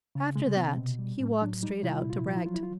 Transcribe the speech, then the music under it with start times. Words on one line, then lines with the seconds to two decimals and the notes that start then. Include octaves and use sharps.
After that he walked straight out to Bragton.
0.15 C#3
0.36 C3 G#3
0.47 G#3
0.56 C3 B3
0.67 C4
0.77 B2
0.99 G3
1.20 A2 C#4
1.41 F#3 D4
1.63 G3 D#4
1.83 C3 E4
1.92 F4
2.01 A#2 E4
2.10 F4
2.19 E4
2.26 F3 F4
2.37 E4
2.46 F#3 F4
2.54 E4
2.63 F4